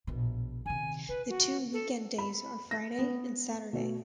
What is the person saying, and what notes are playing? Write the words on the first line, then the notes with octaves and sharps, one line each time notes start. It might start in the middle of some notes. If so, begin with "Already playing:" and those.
The two weekend days are Friday and Saturday.
A#1 B2
C3 D#3 G#5
D3 B4
F#4
A4
B5
A#6
B3
B2 A3